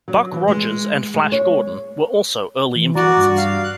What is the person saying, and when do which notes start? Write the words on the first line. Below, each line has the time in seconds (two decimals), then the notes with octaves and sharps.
Buck Rogers and Flash Gordon were also early influences.
0.08 F#3
0.32 E3
0.47 G#3
1.14 G#3
1.32 C#5
2.75 E3
2.95 F#4 D5 A#5
3.16 G2
3.38 F5
3.64 F#6